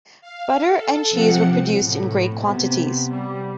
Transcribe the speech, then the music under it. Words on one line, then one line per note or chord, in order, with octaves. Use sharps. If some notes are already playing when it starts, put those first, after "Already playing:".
Butter and cheese were produced in great quantities.
F5
A4
C3 F3 C4 F#5 C#7
A2
C3 B3
G3